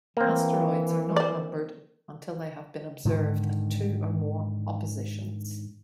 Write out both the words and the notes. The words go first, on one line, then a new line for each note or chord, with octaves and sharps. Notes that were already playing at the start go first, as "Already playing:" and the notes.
Asteroids are not numbered until they have been observed at two or more oppositions.
E3 A#3 C4
C5 D5
G#2 D3 D#3